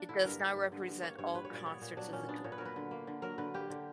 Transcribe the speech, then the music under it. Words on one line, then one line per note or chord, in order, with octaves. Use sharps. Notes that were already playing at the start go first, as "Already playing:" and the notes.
It does not represent all concerts of the tour.
Already playing: A#3 D4
D3 E4
G2 A#4
A#3
G2
D3
G2
A#3 C#5
G2 C#5
F#3 B4
C#5
A#2
D5
B3 C#5
A#2
F#3 D4
A#2 C#4
B3 D4
A#2 C#5
B4
F#3 A#4
B4
D3
A#3
D3
F#3 A#4
D3 B4
A#3 G4
D3